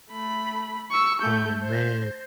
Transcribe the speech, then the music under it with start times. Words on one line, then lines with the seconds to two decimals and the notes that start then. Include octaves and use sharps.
Oh, man.
0.10 A3 B5
0.91 C#6 E6
1.22 A3 G6
1.62 C5